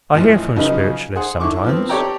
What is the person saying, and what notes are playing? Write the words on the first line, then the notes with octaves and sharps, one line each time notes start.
I hear from spiritualists sometimes.
G#1 D2 A2 E3 F3
C#3 F3 F#3 D#4 B4
G#4 C5 F#5
D3 E4 C#6 D6
F3 B3 C4
G4 A4 C#5 D5 G5 A#5